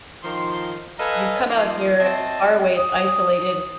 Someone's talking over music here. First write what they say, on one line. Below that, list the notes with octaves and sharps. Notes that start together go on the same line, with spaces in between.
You've come out here far away, it's isolated
D#3 F3 C6
A4 B4 D#5 F5 G#5 A#5
F3 A#3 D#4
C4 F#4 D#5 E5 A5
D#6